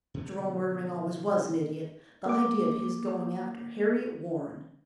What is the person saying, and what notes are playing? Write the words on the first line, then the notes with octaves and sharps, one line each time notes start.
Jerome Irving always was an idiot. The idea of his going after Harriet Warren!
B2 D3 A3 B3
A#3 D6